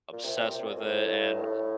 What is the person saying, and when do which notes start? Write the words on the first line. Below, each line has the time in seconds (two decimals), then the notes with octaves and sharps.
obsessed with it, and
0.12 A#2
0.25 C3
0.38 A#2
0.51 C3
0.64 A#2
0.77 A2
1.35 G2
1.43 A2